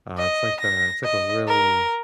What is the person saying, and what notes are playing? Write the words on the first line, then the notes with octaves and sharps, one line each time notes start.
Uh, it's like a it's like a really,
D#5
A#6
D#5
A#4